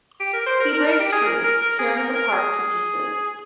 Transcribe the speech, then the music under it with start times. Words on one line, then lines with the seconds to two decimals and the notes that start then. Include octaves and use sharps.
He breaks free, tearing the park to pieces.
0.20 G4
0.33 A#4
0.46 C5
0.60 A#4
0.73 A#4
0.86 A#4
0.99 G4
1.12 G#4
1.26 A#4
1.44 A#4
1.62 A#4
1.79 G#4
1.97 A#4
2.14 A#4
2.32 G#4